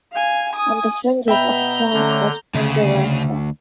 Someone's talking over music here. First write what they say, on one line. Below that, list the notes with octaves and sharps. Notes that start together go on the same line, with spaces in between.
On the fringes is a farm called "Ponderosa".
F5 G#5
G#5 D#6
B2 B3 E5 G5 A#5 B5 G6
D3 A3 C#4
D2 C#3